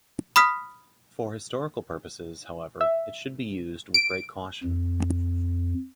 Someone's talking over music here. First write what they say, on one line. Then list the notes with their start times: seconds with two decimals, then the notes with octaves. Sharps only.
For historical purposes, however, it should be used with great caution.
0.36 B5 D#6 F6 B6
2.81 E5
3.94 D7
4.63 F2